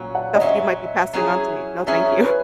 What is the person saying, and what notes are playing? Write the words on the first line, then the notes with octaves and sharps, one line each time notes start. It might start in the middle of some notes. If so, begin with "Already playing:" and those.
stuff you might be passing on to me. No, thank you."
Already playing: A#2 F#3 C#4
F#5
D#5
A#2 F#3 C#4 E5
F#3 C#4 E4 G#4
F#3 C#4 E4 G#4 E5
B4